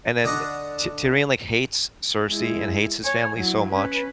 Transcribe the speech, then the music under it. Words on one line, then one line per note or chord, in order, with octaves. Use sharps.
and then, eh, T Tyrion, like, hates Cersei and hates his family so much,
D3 D4 D#5 F#5 C#6
G#3 E4
C#5 G#5
F#3 E4
C#4 B4